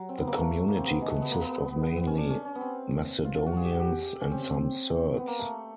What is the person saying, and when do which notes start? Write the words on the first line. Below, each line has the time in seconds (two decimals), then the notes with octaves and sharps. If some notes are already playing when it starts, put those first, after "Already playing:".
The community consist of mainly Macedonians and some Serbs.
Already playing: F#3
0.09 C4
0.18 B3
0.27 A#3
0.36 A3
0.68 A#3
0.76 C4
0.84 B3
1.02 G#3
1.10 A3
1.22 B3
1.31 A#3
1.42 B3
1.97 C4
2.07 C#4
2.18 D4
2.29 C#4
2.45 C#4
2.55 B3
2.61 C4
3.25 F4
3.35 F4
3.46 F#4
3.57 G#4
3.64 G4
3.72 F#4
3.80 G4
4.21 C#4
4.32 C4
4.43 C4
5.17 B3
5.28 A#3
5.39 A3